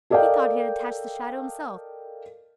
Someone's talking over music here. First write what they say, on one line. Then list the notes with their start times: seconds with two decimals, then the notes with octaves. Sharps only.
He thought he had attached the shadow himself.
0.10 A4 A#4 D5 D#5 F5 G5